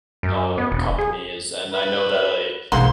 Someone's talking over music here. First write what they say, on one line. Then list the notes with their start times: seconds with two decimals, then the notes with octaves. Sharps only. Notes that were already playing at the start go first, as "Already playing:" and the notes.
uh, companies and I know that a,
0.23 F#2
0.58 B3
0.72 E1
0.98 G#4
1.74 B4
2.72 B1 G#2 E3 A#3 F#5 C6